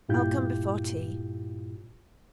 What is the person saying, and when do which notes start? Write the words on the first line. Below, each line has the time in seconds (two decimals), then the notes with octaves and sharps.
I'll come before tea.
0.09 G2 A#2 E4 F4 G4 G6